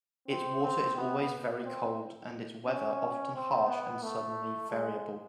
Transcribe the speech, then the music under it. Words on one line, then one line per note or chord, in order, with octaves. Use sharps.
Its water is always very cold, and its weather often harsh and suddenly variable.
C4
C4
B3
C4
C#4
C4
B3
A3
G#3